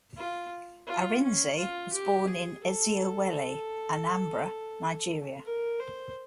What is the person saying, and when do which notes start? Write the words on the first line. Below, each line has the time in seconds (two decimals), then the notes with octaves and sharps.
Arinze was born in Eziowelle, Anambra, Nigeria.
0.17 F4
0.87 F4
1.22 C#4
1.58 F4
1.93 G4
2.28 G#4
2.64 A4
5.45 A#4
5.80 C5